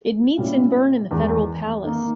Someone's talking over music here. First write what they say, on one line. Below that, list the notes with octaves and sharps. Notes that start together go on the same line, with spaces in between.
It meets in Bern in the Federal Palace.
A#2 G3 C#4 E4
E2 D#3 G#3 D#4 G#4
D#3 A#3 D#4